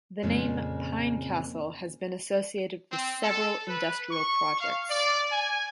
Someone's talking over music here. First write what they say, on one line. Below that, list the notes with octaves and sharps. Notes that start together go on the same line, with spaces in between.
The name "Pine Castle" has been associated with several industrial projects.
F2 A#2 C#3 G#3 A#3 C4
C4
A4
B4
C#6
F5
D5
G#5